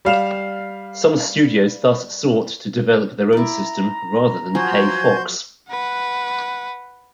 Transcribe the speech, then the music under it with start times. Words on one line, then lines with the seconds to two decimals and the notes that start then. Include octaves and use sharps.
Some studios thus sought to develop their own system rather than pay Fox.
0.05 G3 F5 E7 F7
3.33 E4 D5 A#5
4.55 F3 F#3 F#4 C5 G#5 C6
5.69 B4 F#5